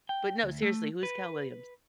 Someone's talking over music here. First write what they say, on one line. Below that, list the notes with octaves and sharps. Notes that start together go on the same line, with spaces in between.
But, no, seriously, who's Cal Williams?
G5
D2
A3
B4